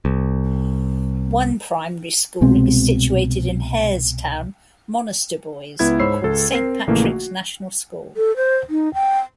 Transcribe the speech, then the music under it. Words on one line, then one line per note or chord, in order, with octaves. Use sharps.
One primary school is situated in Harestown, Monasterboice called Saint Patrick's National School.
C2
C2 B2 G#3 C4
C#2 B3 E4 G#6
G#2 C5 C#5 B5 E6 C7
C#2 A4
C4 A#4 C7
A#1 C#3 E3 A3 A#3
F#4
A4
C5
D#4
G5